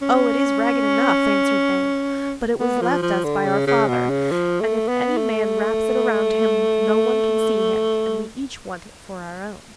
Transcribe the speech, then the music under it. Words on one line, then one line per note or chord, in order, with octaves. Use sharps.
'Oh, it is ragged enough,' answered they, 'but it was left us by our father, and if any man wraps it round him no one can see him; and we each want it for our own.'
C#4
B3
F3
F3
D3
C#3
C#3
B2
C#3
F3
A3
B3
A3